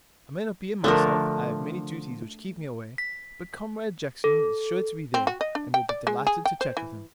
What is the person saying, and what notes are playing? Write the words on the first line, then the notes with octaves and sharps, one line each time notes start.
I may not be in myself--I have many duties which keep me away--but Comrade Jackson is sure to be there, and will be delighted to chat with him.'
D3 F3 A3 D4 A#4
B6
A4
C4
F#4
D#5
D4
G5
D5
G#3
G#4
G5
C5
E3